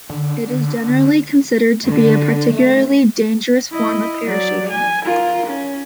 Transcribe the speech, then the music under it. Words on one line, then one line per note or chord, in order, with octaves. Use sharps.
It is generally considered to be a particularly dangerous form of parachuting.
D3
D3
A3
E4 D#5
F#3 D5
G#5
F4 A#4
C#4